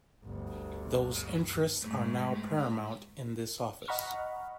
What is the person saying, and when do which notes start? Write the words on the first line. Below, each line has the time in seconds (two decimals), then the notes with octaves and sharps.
Those interests are now paramount in this office.
0.25 G1 D2
1.82 G#2 A3
3.88 D#5 F#5 A#5 B5 C#6 F6